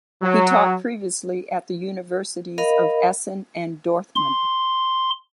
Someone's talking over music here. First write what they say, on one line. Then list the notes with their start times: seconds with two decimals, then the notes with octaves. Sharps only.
He taught previously at the Universities of Essen and Dortmund.
0.23 F#3
2.58 A#4 D#5 F5 B5
4.16 C6